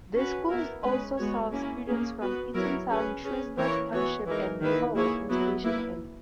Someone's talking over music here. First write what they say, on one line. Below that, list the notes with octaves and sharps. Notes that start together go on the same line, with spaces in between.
The school also serves students from Eatontown, Shrewsbury Township and Naval Weapons Station Earle.
C#4 F#4 B4
B3 E4 A#4
G#3 C#4 G#4 B4
G#3 B3 F#4 C#5
A#3 C#4 E4
A#3 C#4 G#4
B3 F#4 B4
F#3 B3 E4 A#4 C#5
C#4 G#4 B4
C#4 G#4 B4
E3 A#3 E4 A#4 C#5
E3 B3 F#4 C#5
E3 G#3 D#4 A#4
D#3 A#3 E4 B4
A#3 E4 G#4 C#5
F#3 B3 E4
A#3 E4 B4